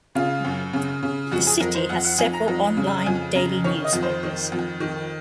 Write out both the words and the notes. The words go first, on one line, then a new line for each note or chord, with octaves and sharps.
The city has several online daily newspapers.
C#3 F4
F#2
C#3
C#3
F2 F#4
G#4
F2 A#4
C5
F2 F#5
F#5
F2 G#5
A#5
F2
C#3
F2 G#5
C#3 A#5
D#3 C#5
D#5
F2
C5
D#3
F2
D#3